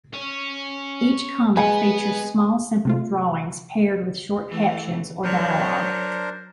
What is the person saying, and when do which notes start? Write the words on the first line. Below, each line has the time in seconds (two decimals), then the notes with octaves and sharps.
Each comic features small, simple drawings, paired with short captions or dialogue.
0.14 C#4
1.56 G#3 B3 G#5
2.85 C3 A3 F4
4.48 E3 A3
5.24 F#3 D4 A#4 C5 C#5